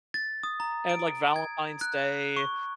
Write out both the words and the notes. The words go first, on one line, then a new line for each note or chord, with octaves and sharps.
and, like, Valentine's Day
A6
D#6
A#5
D7
G#6
F#6
C#6